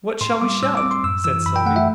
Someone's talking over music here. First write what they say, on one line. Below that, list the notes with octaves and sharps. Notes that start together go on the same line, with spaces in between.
"What shall we shout?" said Sylvie.
A2 C6
G3 D6
A2 E6
D6
C4
C6
F#2 E6
E3 E6
F#2 B5
G5
A3 F#5
E5